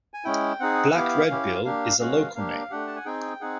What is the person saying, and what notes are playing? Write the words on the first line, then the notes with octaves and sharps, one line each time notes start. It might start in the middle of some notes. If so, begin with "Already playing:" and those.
Black redbill is a local name.
G#5
G#3 C#4 E4 G5
C4 D#4 G#4 F#5
B3 E4 G4 F5
C#4 E4 G4
A#3 D4 G4 F5
G#3 C#4 F#4 F5
A#3 D4 G4 F5
A3 D4 G4 F#5
A5
G#5
C4 D#4 G#4 G5
C4 D#4 G#4 F#5